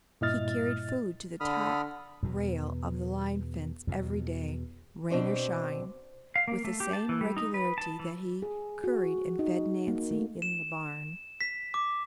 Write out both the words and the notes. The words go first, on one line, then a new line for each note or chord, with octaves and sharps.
He carried food to the top rail of the line fence every day, rain or shine, with the same regularity that he curried and fed Nancy in the barn.
G2 A#2 E4 D#5 F6 A6
D3 B5 D#6 F6
E2 B2
E2 B2
B2 C4 D4 C5
F5
A#3
A3
G4
A5
E3
G3
D#4
B4
A5
E3
G#4
F#4
D#4
A#3
A3
E7
B6
D6